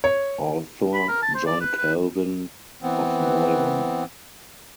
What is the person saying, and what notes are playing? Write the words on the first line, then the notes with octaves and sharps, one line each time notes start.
Author, John Calvin, Of Noyon.
C#5
B5
A#4
A5
C5
D5
B4
B4
E3 B3 C4